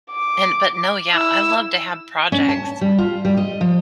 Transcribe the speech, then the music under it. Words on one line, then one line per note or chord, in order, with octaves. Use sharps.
And but no, yeah, I love to have projects
D6
E4 E6
C#4
A5
G3
F4
G3
D#5
F3